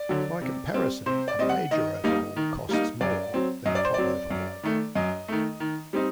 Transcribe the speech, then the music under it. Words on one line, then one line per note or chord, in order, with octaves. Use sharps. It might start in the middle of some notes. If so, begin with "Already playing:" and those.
By comparison, a major overhaul costs more than a top overhaul.
Already playing: D5
D3 F#3
C3
G3 C4
C3 C5
D5
G3 C4 D#5
F#5
D#3 D#5
G3 A#3 D#4
D#3
G3 A#3 D#4
F#2 D5
F#3 C4
F#2 D#5
D5
C5
F#3 C4 D5
F#2
D#3 A3
F#2 D#5
D#3 A3
D#3
G3 C4 D#4